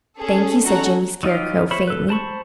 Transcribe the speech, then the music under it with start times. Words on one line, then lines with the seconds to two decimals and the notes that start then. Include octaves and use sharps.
"Thank you," said Jimmy Scarecrow faintly.
0.20 C#4 G#4 A4
0.63 C#4 D#4 F#4 A4 F#5 A#5
1.23 F#3 D#4 F4 G4
1.71 C5 C#5 E5 B5
1.87 A4 B4
2.09 C5 A5 B5 C#6